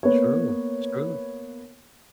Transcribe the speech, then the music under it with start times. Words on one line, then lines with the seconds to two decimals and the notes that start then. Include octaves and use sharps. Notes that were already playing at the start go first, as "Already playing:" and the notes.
True, true,
0.03 A#3 B3 C#5